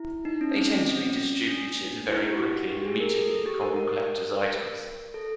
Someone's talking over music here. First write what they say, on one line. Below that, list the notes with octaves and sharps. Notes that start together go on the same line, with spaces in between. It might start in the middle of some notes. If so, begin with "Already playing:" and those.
They tend to be distributed very quickly and immediately become collectors' items.
Already playing: E4
D#4
C#4
C4
C4
C#4
D4
E4
G4
F#4
G4
G#4
A#4
A4
A4
G4
A#4
A#4
A#4
A4